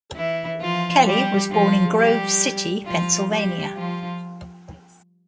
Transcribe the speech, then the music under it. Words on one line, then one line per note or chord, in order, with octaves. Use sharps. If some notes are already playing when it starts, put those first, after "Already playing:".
Kelly was born in Grove City, Pennsylvania.
E3 E4
F3 F4
G3 G4
F3 F4
G3 G4
F3 F4
G3 G4
F3 F4